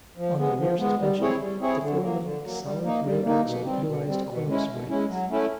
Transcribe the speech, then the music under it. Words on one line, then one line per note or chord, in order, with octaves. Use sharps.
On the rear suspension, the four-link solid rear axle utilized coil springs.
F3
G#3 B3
F3
G#3 B3
G3
C4 E4 G#4 C#5
G3
C4 E4 G#4 C#5
D3
F#3 A#3
D3
F#3 A#3
G3
A#3 D#4
G3
A#3 D#4
B2
G3 C4
B2
G3 C4
B2
G#3 C#4 E4
B2
G#3 C#4 E4
F#3
A3 C#4 E4